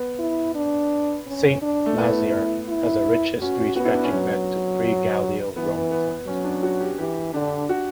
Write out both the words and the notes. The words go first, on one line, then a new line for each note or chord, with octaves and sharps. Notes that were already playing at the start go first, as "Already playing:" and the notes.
Saint-Lizier has a rich history stretching back to pre Gallo-Roman times.
Already playing: B3
E4
D4
C#4
D4
A3
B3 E4
E4
C#4 F#4
B3 F#4
E4
D4
C#4
F#3 B3
E3 B3
B3
F#3 C#4
D4
F#4
G4
E3 G4
D3 D4
F#4